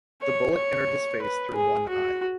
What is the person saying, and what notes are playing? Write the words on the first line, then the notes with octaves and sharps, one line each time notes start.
The bullet entered his face through one eye.
C#5
C#5
B4
G#4
F#4